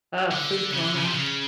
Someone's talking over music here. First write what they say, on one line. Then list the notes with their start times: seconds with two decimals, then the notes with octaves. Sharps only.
uh, food coma.
0.31 D3
0.73 C#3
0.83 D3
0.95 C#3
1.05 C3
1.15 C#3